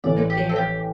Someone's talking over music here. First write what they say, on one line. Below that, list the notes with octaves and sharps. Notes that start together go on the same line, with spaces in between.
But there!
A1 A2 E3 D5
G4
A4
G4